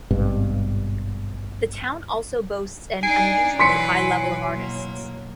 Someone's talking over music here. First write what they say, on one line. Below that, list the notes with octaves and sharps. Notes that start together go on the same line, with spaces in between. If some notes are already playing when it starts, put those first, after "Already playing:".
The town also boasts an unusually high level of artists.
G#1 G2 B2
D4 D#4 G#5 C7 D7
B2 E3 F#3 B4 C6 B6 C#7
A#3